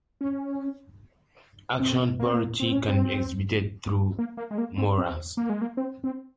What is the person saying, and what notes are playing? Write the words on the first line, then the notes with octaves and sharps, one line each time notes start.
Action poetry can be exhibited through murals.
C#4
C4
A#3
C4
A#3
C4
C#4
C4
A#3
A#3
G#3
A#3
C4
C4
A#3
G#3
A#3
C4
C4